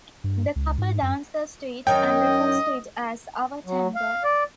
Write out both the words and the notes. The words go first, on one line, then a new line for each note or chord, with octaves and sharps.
The couple dances to it and refers to it as "our tango".
G2
C#2
G#2
F#2
F#2 D#3 C#4 C#5 D#5 G5
F#3
F5
D5